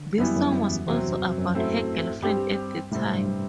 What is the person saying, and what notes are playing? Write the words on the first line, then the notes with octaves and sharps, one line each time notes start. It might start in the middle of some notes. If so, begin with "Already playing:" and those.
This song was also about her girlfriend at the time.
Already playing: D3
F#2 E3 G3 B3 E4
F#2
F#2
E2
E2 C3 F#3 C4
G2
F#2
F#2
A2 F#3 A3 C4 E4
G2 G3 C4 G4
A2 C3 G3 C4
G2